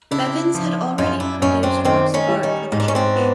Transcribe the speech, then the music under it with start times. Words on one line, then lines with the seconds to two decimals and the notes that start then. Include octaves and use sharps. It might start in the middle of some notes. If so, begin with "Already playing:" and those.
Bevans had already produced works of art for the church.
0.11 C#3 D4 E4
0.55 F3
0.98 F#2 D#4 F4
1.20 D4 E4
1.42 F#2 C#4 D#4
1.63 C4 D4
1.85 D#3 C4 D4
2.14 C#4 D#4
2.29 G3
2.43 C#4 D#4
2.72 G#2 D#4
2.80 D4
2.88 C#4
2.95 C4 D4
3.16 B3